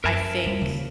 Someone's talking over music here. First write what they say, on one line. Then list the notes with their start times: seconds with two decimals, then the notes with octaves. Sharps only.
I think
0.04 F#2 A#4 E5 A5
0.44 D1 G3
0.61 D#2 C#3